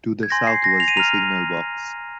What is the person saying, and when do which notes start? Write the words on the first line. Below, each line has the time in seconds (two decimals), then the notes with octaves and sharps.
To the south was the signal box.
0.23 G#6
0.30 G#5 C6 G6 A#6
0.47 C7
0.64 A#6
0.80 F7
0.88 D#7
0.97 A#5 F6 F7